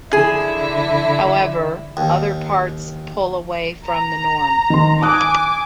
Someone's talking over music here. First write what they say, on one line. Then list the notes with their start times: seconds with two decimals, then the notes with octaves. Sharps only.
However, other parts pull away from the norm.
0.13 D3 E4 G#4
1.97 D#2
3.85 A#5
4.70 D#3 C6
5.02 G#5 A5 D6 D#6 F#6